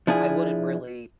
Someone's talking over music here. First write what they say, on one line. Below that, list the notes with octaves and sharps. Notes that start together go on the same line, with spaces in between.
I wouldn't really
F3 D4 E4 G#4